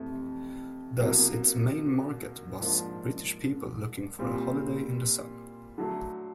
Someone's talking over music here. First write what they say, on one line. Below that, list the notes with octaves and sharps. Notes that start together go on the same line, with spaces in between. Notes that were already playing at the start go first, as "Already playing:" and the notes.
Thus its main market was British people looking for a holiday in the sun.
Already playing: F2 C3 E3 A3
C2 B2 F#3 A#3
G#2 F3 A#3 D4
A#2 G3 C4 F4
D3 F#3 A3